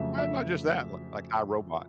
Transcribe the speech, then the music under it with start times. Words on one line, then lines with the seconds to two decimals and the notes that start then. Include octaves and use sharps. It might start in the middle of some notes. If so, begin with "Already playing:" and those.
Why not just that? Li like, I, Robot.
Already playing: F2 C#3 F#3 A3 E5
0.18 E5